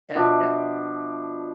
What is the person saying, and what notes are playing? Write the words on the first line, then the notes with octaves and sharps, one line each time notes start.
A a
B2 F3 D4 E5